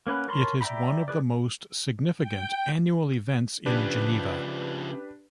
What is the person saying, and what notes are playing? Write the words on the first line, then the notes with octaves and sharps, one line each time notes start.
It is one of the most significant annual events in Geneva.
A#3 C#4 B4 F#5
A#4 C#5 A5 B5 C6
D5 E5 G5 A#5 B5
G#4 B4 D5
G5
C#3 F3 D4 G4 B4